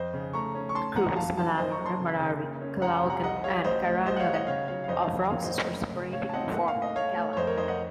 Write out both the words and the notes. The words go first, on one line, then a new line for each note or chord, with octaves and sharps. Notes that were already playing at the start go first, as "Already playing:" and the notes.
Cruz, Malalinta, Mararigue, Calaocan, and Caraniogan of Roxas were separated to form Callang.
Already playing: F2 C5 D#5
C#3
A3 A#5 C#6
C#4
C#6
A3 A5 C6
F3 F#5 A#5
F2 F5 A5
F#1 F5 A5
F#1 C5 D#5
A#5 C#6
F#1
A5 C6
C#3
C#3
A#3
C#4
F1 F#5 A#5
C3
F#5 A#5
C2 D#5 F#5
C2 C#5 F5
A1 C5 D#5
A2
C2 C5 D#5
F#5
C#5 F5
C2
D#5 F#5
C#3 C#5 F5
F#3 C#5 F5
F5
F2 C5 D#5
F5 A5
F2
A#3 C#5 F5
C5 D#5
A2
C5 D#5
F#1
C#3
A2 C#5 F5
A5
C4 D#5 F#5
A#3 F#5
F5
A2
D#5
A3 C#5 F5
A3
C#5
F2 C5 D#5
A#4 C#5
F2 C5 D#5
D#5 F#5